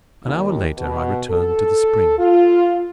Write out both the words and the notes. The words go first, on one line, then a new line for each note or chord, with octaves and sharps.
An hour later I returned to the spring.
D#2
B2
A4
F4